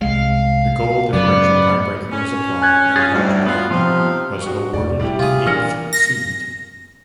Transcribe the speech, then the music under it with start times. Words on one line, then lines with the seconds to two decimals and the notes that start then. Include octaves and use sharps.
The goal differential tiebreaker was applied and Notre Dame was awarded the eighth seed.
0.01 C2 G#3 F5
1.13 F#2 C#3 F#3 B3 D5
2.11 C#4
2.62 G#5 F#6 G#6
2.96 F4 G#4 A6
3.13 D2 A2 G3 F#4
3.46 B3 F4 F#4
3.71 C3 F3 D#4 F5 C6
4.42 F#4 C#6
4.73 E2 B2 D5
4.99 D#1 G3 E4 G4
5.19 C3 F4 G#4
5.47 A#2 E3 A#3 D4 F6 A#6 C#7
5.93 A#6